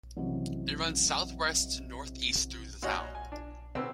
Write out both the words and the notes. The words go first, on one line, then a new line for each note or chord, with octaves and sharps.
It runs southwest to northeast through the town.
A1 F2 C3 F#3
A#2 F#4 C#5 D#5 G#5 F6
G#5
D4
B1 C4 B4 E6